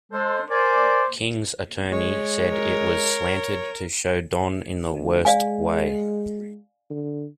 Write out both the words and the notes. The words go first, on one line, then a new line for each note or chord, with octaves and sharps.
King's attorney said It was slanted to show Don in the worst way.
G#3 A4 C5
A#4 C5 D5 G#5
G#3 C#5
A#4
D2
G#3 D5 F5 G#5
D3